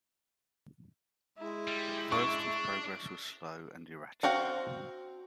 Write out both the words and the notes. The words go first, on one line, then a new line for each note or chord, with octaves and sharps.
At first his progress was slow and erratic.
G#3 E4
G3
D4 C#6
C4 F#4 F5 G5